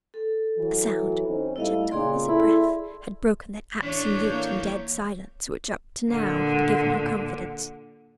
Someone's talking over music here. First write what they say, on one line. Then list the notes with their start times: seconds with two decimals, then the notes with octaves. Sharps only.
A sound--gentle as a breath--had broken that absolute and dead silence which up to now had given her confidence.
0.14 A4
0.56 E3 F#3
1.26 C4 C#4 D#4
1.56 G#2 G3 A3 E4 D#5 F5
1.91 A#2 C#3 G#4 D5 C6
2.28 E4 A4
3.83 E3 A3 D4 C#5 G6
4.29 A#3
6.11 A#2 D3